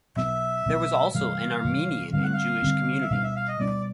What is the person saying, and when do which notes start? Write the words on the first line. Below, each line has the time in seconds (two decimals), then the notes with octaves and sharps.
There was also an Armenian and Jewish community.
0.16 B2 F#3 B3 E5
0.66 B2 F#3 B3
1.14 C3 E3 G3 F5
1.65 C3 E3 G3
2.13 D3 G3 C4 F5
2.23 F#5
2.33 F5
2.62 D3 G3 C4
3.02 E5
3.11 B2 G3 B3 D4 F5
3.23 E5
3.36 F5
3.48 D#5
3.60 B2 G3 B3 D4 D5